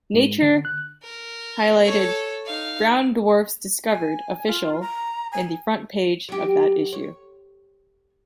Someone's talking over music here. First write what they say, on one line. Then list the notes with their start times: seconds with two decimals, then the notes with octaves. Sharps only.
"Nature" highlighted "Brown dwarfs discovered, official" in the front page of that issue.
0.14 G#2
0.42 D3
0.65 F#6
1.02 A#4
1.83 A4 C#5
2.46 D#4 F5
3.92 G#5
4.47 F4
4.81 A#5
5.32 G#5
6.29 F#3 G4
6.93 C#5